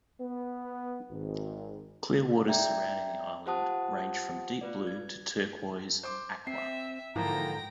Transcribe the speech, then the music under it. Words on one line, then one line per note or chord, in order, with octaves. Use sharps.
Clear waters surrounding the island range from deep blue to turquoise aqua.
B3
G#1
D5 E5 G5 A#5 G6 G#6
F4 G4 C5 F#5 A5 D#6
F4 B4 D5
G#6
C5 C6 D6
C4 E5 C7
G#2 D3 E3 F3 A#3 G5 A#5 A#6